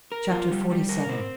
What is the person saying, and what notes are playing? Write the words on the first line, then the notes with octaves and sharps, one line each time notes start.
Chapter XLVII.
A#4
F4
G3
G3
A#4
C4